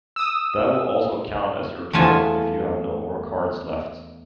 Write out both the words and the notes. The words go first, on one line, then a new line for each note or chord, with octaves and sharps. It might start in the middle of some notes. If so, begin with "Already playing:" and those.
That will also count as your turn if you have no more cards left.
D#6 E6
E2 A3 F4 G#5 A5